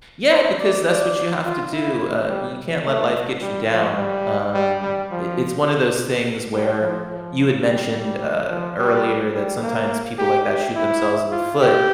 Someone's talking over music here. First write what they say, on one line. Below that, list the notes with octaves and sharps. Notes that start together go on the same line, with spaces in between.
Yeah, because that's what you have to do, uh, you can't let life get you down, um, it it's one of those things where, you had mentioned, uh, earlier that sometimes people like that shoot themselves in the foot,
C5
D5
D5
F4
E4
G3
A3
G3
F3
G3
G3
G3
F3
G3
F3
F3
G3
G3
F3
G3
G3
A#3
G4
G4
E4
F4
G4